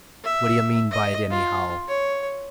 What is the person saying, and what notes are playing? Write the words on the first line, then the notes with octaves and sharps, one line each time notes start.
What d'you mean by it, anyhow?
E5
D#5
F4
C#5